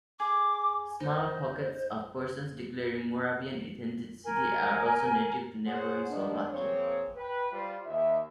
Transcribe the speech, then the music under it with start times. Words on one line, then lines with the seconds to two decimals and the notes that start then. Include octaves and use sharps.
Smaller pockets of persons declaring Moravian ethnicity are also native to neighbouring Slovakia.
0.20 G#4 D6
1.00 D#4 C5
4.25 A#4 G#5
5.66 G#4 C5 C#5 F#5
6.10 D#3 F3 G#3 B3 D4
6.50 F3 A#3 C4 G#4 C5 C#5
7.16 B4 G5
7.52 G3 F4 C5
7.86 D#2 E5